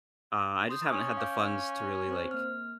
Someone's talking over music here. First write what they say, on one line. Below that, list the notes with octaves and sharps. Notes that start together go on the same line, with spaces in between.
uh, I just haven't had the funds to really, like
C6 D#6 G6
C#4
F5 D6 G6
C4 C5
A#3 F6